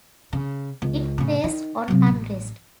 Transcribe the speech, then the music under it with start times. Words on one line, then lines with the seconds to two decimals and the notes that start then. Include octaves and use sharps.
It preys on unrest.
0.33 C#3
0.82 C#2
1.18 A2 C#3
1.44 D#3
1.88 C3 F#3
2.07 A1